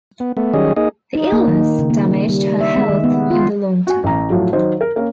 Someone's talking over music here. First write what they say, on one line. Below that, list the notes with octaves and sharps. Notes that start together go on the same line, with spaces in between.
The illness damaged her health in the long term.
B3
A3 B3
D#3 F#3 G3 C#4 G#4 D#5
A#3 D#4 G#4 D#5
D#4
A#3
D#3
C#3
A#3
G3
E5
G#3
D#3
B3
F4
F#4 G#5
A1 A#5
A2 F3 F#3
D#3 F#3 C5 D#5
A#4
A#3 C#4 A#4